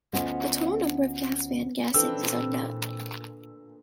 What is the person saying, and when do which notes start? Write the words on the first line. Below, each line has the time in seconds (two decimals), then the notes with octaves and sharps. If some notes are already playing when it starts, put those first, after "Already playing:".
The total number of gas van gassings is unknown.
0.13 D2 B3 C#4 F4 C5 D#5
1.94 A#2 E3 C4 D4 A4 B4 E6